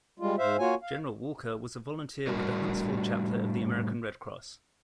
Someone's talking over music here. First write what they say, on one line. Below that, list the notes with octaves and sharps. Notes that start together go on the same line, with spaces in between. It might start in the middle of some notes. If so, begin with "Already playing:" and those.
General Walker was a volunteer with the Huntsville Chapter of the American Red Cross.
G3 G#3 F4
G#2 C5 E5 F5
A#3 F4 F#4 C#5 G#5
F5
A2 G3 D4 F#4 A#4